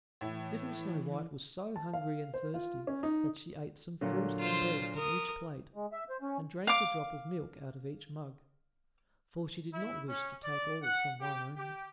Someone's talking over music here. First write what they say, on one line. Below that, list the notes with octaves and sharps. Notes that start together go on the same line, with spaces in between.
Little Snow-white was so hungry and thirsty that she ate some fruit and bread from each plate, and drank a drop of milk out of each mug, for she did not wish to take all from one only.
A2 E3 E4
A5
F5
C5
F4
C#4
D#4
A#2 D3 F#3
F4 C5
A#4 D#6
G#3
E5
C5
C#4
F5 D6
E4
C#4
D5
F#5
G4
G4